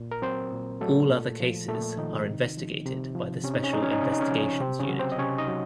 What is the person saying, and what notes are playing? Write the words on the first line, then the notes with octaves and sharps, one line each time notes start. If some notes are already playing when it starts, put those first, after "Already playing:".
All other cases are investigated by the Special Investigations Unit.
Already playing: A#2
A#4
F#3 C4 C5
A#2
F#3 A3 A4
A#2
F3
A#2 A3 A4
D#3 F3 D#4
C3
F3
C3
F3
C3 C#4
D#4
C#4
F3 D#4
C#4
D#4
C3 C#4
D#4
C#3 C#4
F3
C3 C4
C#3 C#4
F#3
C4 C5
D#5
C3 C#4 C#5
D#4 D#5
F#3